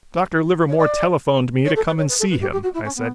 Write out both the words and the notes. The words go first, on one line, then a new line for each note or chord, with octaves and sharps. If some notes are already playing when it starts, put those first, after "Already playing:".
"Dr. Livermore telephoned me to come and see him," I said.
C#5
D5
C#5
A4
B4
C#5
B4
A4
B4
G4
G4
F#4
E4
C#4
B3